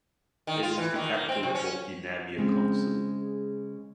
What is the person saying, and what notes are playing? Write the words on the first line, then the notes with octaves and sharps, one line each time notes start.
It is the capital of the Navia council.
D#3
F4
E3
D#3
A#3
C4
C3
C#4
C#3 G#3 C4